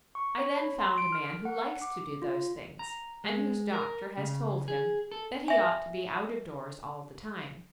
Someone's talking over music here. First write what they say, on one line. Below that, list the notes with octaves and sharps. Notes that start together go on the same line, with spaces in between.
I then found a man who likes to do those things and whose doctor has told him that he ought to be out of doors all the time.
C#6
C#5
B5
C6
D7
F6
F#5
F#5
D6
F4
A#5
G#3
A#4
C#3
G#4
A4
E5 G#5